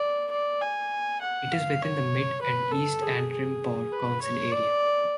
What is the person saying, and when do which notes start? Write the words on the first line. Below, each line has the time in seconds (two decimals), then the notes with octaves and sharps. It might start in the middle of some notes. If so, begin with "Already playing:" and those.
It is within the Mid and East Antrim Bourgh council area.
Already playing: D5
0.31 D5
0.61 G#5
1.21 F#5
1.52 F5
1.82 C#5
2.41 B4
2.71 A4
3.02 G#4
3.32 G#4
3.92 B4
4.22 C#5
4.51 D5